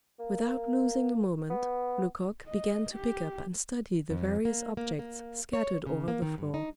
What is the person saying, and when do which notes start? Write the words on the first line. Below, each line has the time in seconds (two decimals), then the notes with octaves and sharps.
Without losing a moment, Lecoq began to pick up and study the various objects scattered over the floor.
0.19 A#3
1.50 B3
2.47 D#5
2.95 G4
4.10 F2
4.45 A#3
4.77 A#3
4.99 A#3
5.53 C#5
5.86 C#3
6.08 A#3
6.22 D#3
6.38 G2
6.54 D#4